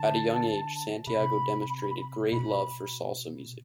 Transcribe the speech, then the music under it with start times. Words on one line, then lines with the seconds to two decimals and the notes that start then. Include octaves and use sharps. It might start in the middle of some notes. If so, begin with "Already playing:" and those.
At a young age, Santiago demonstrated great love for salsa music.
Already playing: D3 A5
1.07 C3 B5
2.32 B2 B5